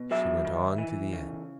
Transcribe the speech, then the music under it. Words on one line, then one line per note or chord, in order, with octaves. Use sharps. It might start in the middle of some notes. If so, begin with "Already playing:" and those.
She went on to the end.
Already playing: B2
F#3 E5
D#3
E3
C#3